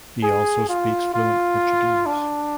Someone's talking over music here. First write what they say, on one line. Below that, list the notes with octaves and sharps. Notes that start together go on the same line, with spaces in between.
He also speaks fluent Portuguese.
G#4
F4
F4
D4